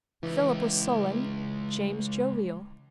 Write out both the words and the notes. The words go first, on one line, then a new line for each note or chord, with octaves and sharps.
Philip was sullen, James jovial.
C#2 E3